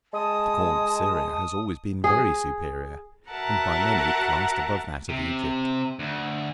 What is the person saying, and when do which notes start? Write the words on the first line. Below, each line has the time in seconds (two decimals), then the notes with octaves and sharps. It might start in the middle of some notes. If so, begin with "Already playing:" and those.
The corn of Syria has always been very superior, and by many classed above that of Egypt.
0.13 G#3 A5 D#6
2.04 G#4
3.30 F#4 A#4 E5 F#5 A5 A#5
5.09 C3
5.99 D2